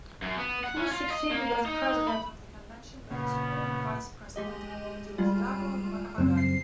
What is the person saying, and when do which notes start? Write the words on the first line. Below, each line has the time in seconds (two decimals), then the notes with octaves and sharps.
He was succeeded as president of the Convention by his former Vice-President, Diosdado Macapagal.
0.22 F#2
0.37 B3
0.64 F#5
0.76 C#4
0.91 F4
1.10 D#5
1.30 A#3
1.66 D#4
2.08 B5
3.11 A#2 C#3 B3
4.36 G#3 G4 D#5
5.18 G3 G#3 F4
6.18 F#1 F#2 C4 C5
6.37 C7